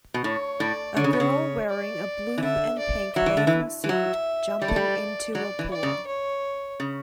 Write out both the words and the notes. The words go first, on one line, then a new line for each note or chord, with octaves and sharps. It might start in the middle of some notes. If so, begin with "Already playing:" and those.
A girl wearing a blue and pink bathing suit jumping into a pool.
B2
A2 C#5
A2 D5
D3 C#5
C#3
B2
C#3
D5
E3
D3 E5
D5
F#3 E5
E3
D3
E3
E3
F#3 E5
G3 D5
A3
G3
F#3 D5
E3
D5
C#3
C#5
C#3